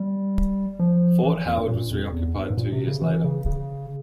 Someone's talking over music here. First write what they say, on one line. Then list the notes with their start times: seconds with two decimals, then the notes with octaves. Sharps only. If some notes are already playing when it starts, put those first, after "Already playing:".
Fort Howard was reoccupied two years later.
Already playing: G3
0.79 F3
1.23 E3
1.46 F2
1.57 G2
1.68 A#2
1.91 F2
2.12 E2
2.35 G2
2.50 G#2
2.57 A#2
2.72 C3
2.87 C#3
3.02 E3
3.24 C#3
3.46 C#3